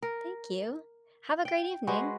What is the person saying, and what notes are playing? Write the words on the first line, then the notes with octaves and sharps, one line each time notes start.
Thank you. Have a great evening.
A#4
G5
G#3 F#4 B4 C5